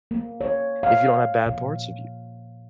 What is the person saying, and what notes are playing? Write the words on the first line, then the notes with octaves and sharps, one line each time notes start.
if you don't have bad parts of you.
A#3
C#5
F5
A#2